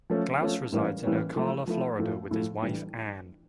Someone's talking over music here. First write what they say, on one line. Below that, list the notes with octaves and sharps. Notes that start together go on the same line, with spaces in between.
Glaus resides in Ocala, Florida, with his wife, Ann.
F3 A3 C#4
F3 A3 C#4
A2 E3 G3 A#3 C#4
A2 E3 G3 A#3 C#4
F3 A3 E4
F3 A3 E4
A2 F3 A3
A2 F3 A3
A2 E3 G3 D4